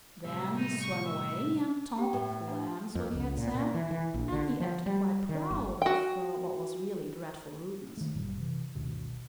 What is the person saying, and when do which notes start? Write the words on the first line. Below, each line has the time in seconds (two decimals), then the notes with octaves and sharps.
Then he swam away and told the Clams what he had said, and he acted quite proud of what was really dreadful rudeness.
0.25 A2 C3 G3 E5
0.57 D#4
0.81 C#6
1.06 E5
1.98 G4 G5
2.13 A2
2.47 D4 E4 F#5
2.95 F2
3.15 C#2
3.37 A#2
3.54 A#2
3.74 E3
3.91 E3
4.14 A#1
4.32 D3
4.60 F3
4.86 G3
5.29 D#3
5.50 G1
5.82 F#4 G5
7.97 D#3 A3
8.14 F#1 A#2 G3
8.37 C3 E3
8.75 G1 D2 B2 D#3